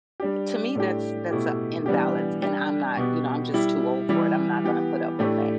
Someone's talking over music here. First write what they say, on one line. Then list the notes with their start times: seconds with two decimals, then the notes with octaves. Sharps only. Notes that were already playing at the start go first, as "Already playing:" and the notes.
To me, that's that's a imbalance and I'm not, you know, I'm just too old for it, I'm not gonna put up with that.
0.20 G3 D4 G4
0.75 A2 A3 D4 G4
1.31 B2 A3 E4 G4
1.86 E3 G3 B3 D4 G4
2.42 G3 D4 G4
2.97 B2 B3 G4
3.53 G3 E4 G4
4.09 E3 G3 E4 G4
4.64 E3 B3 G4
5.19 A2 A3 D4 G4